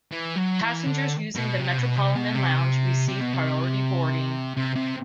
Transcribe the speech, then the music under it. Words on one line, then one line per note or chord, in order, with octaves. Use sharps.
Passengers using the Metropolitan Lounge receive priority boarding.
E3
F#3
E3
D3
B2
C3
B2
C3
B2
C3
C3
B2
C3
C3
C3